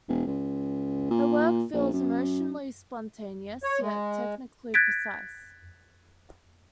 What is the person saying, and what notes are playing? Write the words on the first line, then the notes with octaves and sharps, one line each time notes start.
Her work feels emotionally spontaneous yet technically precise.
E1
C#2
A#2
A#1
F#2
C#5
G#3
F#6 G#6 A6 B6 D7